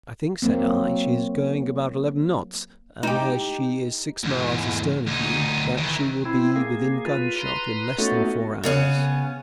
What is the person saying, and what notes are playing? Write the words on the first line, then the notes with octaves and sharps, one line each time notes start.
"I think," said I, "she is going about eleven knots; and, as she is six miles astern of you, that she will be within gunshot in less than four hours."
F#3 A#3 C4
D#4 G4
E2 G#2
D2 D#4
D#3 E3
C4 E4
A#3 G#4
F4 B4
B4 A#5 C6
A3 B3 C#4 D#4 F#4 A4
C#3 B3 C#4